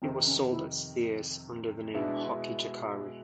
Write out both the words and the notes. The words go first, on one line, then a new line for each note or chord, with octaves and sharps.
It was sold at Sears under the name Hockey Jockari.
F2 C3 D#3 C4
C#4
E4
B2 G#3 B3 D4 E4